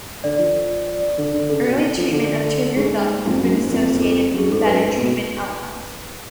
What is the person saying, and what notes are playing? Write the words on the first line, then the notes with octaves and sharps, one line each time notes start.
Early treatment of trigger thumb has been associated with better treatment outcomes.
D3 D5
F3
D5
D3
D3
C#3 A4
B2
F3
D3 A4
G#2 G#4
F2
F#2
G#2
F2
A4
F#2 G#4
G#2 A4
F#2 B4
G#2
B2